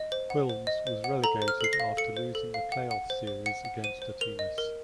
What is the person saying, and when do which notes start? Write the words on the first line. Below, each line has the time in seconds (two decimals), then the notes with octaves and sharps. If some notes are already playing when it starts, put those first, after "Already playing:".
Quilmes was relegated after losing the playoff series against Atenas.
Already playing: D#5
0.12 C5
0.30 F#5
0.49 C5
0.67 D#5
0.87 C5
1.04 F#5
1.24 A4 A#5
1.42 C5
1.48 F6
1.61 A4 C7
1.73 A#6
1.80 F5
1.97 A4 C#7
2.17 C5
2.35 A4
2.54 F5
2.72 F#5
2.91 F#5
3.10 C5
3.27 C5
3.46 F#5 C#7
3.65 F#5
3.84 C5 D#7
4.02 C5
4.21 A#4 F7
4.39 D#5
4.58 A#4